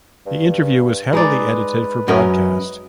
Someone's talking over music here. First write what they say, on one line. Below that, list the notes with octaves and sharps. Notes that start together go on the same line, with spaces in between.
The interview was heavily edited for broadcast.
G2
G#3 D#4 B4 D5
F#2 C#4 A#4 D#5